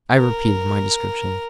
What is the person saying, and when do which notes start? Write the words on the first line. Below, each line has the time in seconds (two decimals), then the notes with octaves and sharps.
I repeated my description.
0.15 A#4